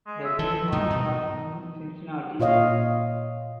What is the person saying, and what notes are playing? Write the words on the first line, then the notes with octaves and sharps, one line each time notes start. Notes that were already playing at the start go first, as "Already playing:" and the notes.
The film was shot in Cincinnati.
G#3
E5
D#3 F3 A4
G2 F#3 G3 D#4
B2
A#2 F4 C#5 D#5 F5